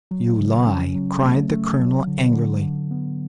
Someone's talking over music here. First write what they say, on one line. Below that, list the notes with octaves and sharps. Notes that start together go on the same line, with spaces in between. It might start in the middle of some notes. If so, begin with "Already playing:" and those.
"You lie!" cried the colonel, angrily.
F#3
C#3
C#4
F#3
A3
A3
F#3
D3
D3
D3
B3